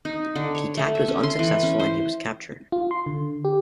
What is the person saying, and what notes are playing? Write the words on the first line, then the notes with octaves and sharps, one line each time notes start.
The attack was unsuccessful and he was captured.
D#4
D3
C#5
A3
E5
C#4
C6
E3
C#4
C5
F4
C6
D3
G4